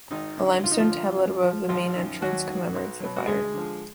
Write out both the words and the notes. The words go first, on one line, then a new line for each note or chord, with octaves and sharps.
A limestone tablet above the main entrance commemorates the fire.
G#1 D#3 D#4
F#2 D3
D2 F4
D#4
F3 F4
D3 F3
F#2
F3
G#1 F3 F4
F#2 D#3
D#2 F#3 F#4
D#3 F#3
B1
B2 F#3
F#4
D2 G#3 G#4
D3 F3